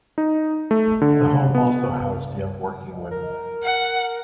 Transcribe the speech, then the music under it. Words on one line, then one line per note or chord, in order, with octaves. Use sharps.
The home also housed young working women.
D#4
A3
D3
B3
A#4
F#5